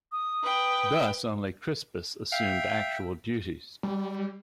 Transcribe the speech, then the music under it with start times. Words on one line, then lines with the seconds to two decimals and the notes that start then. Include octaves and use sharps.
Thus only Crispus assumed actual duties.
0.12 D#6
0.43 B4 G5
2.32 E5 F5 G5
3.83 G3